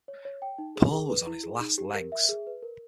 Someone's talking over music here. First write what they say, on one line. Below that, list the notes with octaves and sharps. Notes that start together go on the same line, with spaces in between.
Paul was on his last legs.
C#5
C#5
G5
D#4
G#4
G#4
B4
E4
G#4
D#4
G4
A#4
E5
G#4
B4
A#4